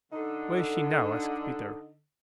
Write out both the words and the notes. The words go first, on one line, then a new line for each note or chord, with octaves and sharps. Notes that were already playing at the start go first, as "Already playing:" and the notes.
"Where is she now?" asked Peter.
D3 D#4